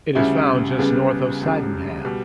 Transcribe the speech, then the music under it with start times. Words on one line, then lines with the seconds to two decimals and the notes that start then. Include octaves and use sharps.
Its found just north of Sydenham.
0.15 D2 C#3 G3 C#4 E4
0.78 C#2 C#3 G3 B3
1.41 E1 D2 C#3 G3
2.05 B2 G3